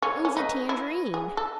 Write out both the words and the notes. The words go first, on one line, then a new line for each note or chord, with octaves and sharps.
It was a tangerine.
C#4 A4 C#5
C#4
D#4 B4 D#5
E4
G#4
A4